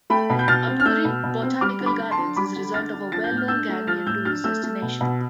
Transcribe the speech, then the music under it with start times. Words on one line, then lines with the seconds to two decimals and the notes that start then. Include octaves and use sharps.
Aburi Botanical Gardens is result of a well known Ghanaian tourist destination.
0.10 A3 G5 B5
0.30 B2
0.39 G6
0.48 B2 F6 A6
0.67 C4
0.80 F6
0.85 A3 E6 G6
1.05 B2
1.24 B2
1.43 C4
1.61 G3 D6 F6
1.80 D3
1.86 B5 D6
1.99 D3
2.11 A5 C6
2.18 D4
2.36 G3 B5 D6
2.56 D3
2.74 D3 F6 A6
2.94 D4
3.12 F3 A6
3.24 G6
3.31 A2
3.37 F6
3.48 D4 E6 G6
3.69 A3
3.87 F3 F6 A6
4.06 A2 E6 G6
4.25 D4 F6 A6
4.44 A3 E6 G6
4.63 A3
4.82 B2
5.01 B2